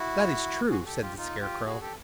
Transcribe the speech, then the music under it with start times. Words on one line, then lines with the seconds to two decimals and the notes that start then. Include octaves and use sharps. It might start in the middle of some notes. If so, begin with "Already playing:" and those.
"That is true," said the Scarecrow.
Already playing: E4 F#4
0.70 F#4 G#4
0.85 G4 A4
1.01 F4 G4
1.17 D#4 F4
1.41 F4 G4
1.65 F#4 G#4
1.81 G4 A4